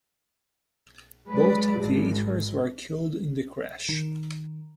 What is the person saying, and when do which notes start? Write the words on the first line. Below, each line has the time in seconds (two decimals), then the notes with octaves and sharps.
Both aviators were killed in the crash.
1.29 F#3 G#3 B4 D5
1.80 G#1 G#2 G#3
3.89 D#3